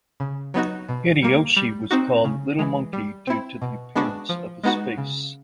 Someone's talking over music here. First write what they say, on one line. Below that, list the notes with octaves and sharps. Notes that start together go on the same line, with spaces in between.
Hideyoshi was called "little monkey" due to the appearance of his face.
C#3
F#3 B3 D#4 F#4
B2
G3 A#3
G3
C4 D#4 F#4
C#3
E3 G#3
G3
C4 E4
B2
G#3 B3 D4 F#4
F3
G#3 B3 D#4 F#4
C#3